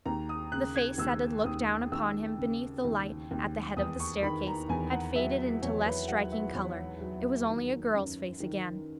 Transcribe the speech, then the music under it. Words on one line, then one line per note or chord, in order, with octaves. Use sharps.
The face that had looked down upon him beneath the light at the head of the stair-case, had faded into less striking color--it was only a girl's face again.
D#2 A#5
D#6
C#3 F#6
G#6
D#2 E6
D#2 D#6
D#2 E6
C#3
D#2
D#2
E2 D#6
C#6
D#3 B5
A#5
E2 G#5
F#5
F#3 E5
E2 C#5
B4
F#3 F#5
E5
E2 C#5
F#3
D#3
F#2
D#3